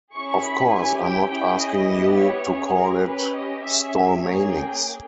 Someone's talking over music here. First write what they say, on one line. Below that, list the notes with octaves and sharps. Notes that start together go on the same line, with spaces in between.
Of course, I'm not asking you to call it 'Stallmanix'.
C#4 E4 G#4 C#6
B5
C#4 E4 G4 G#5
G5
C#4 E4 G#4 G5
D#5
B3 E4 G4
C#5
C#4 G#4
A#4
C#4 G4 B4
D#5
C#4 G#4 E5
A#3 C#4 G#4 C#5
G5